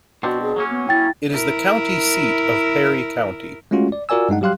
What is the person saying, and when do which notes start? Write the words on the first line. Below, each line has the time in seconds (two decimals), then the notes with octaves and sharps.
It is the county seat of Perry County.
0.23 B2 C4 D4 F#4
0.42 G#4
0.56 F#3 A#3 C#4
0.70 B3
0.89 E4 G5 A6
1.31 E4 A#4
3.71 G#3 A3 C#4 F4 F#4
3.92 D5
4.09 F4 F#4 A#4 D5 G#5 E6
4.29 G2 G#3 D#4 F#5
4.41 F#3 G3 G4 F5 C6 F#6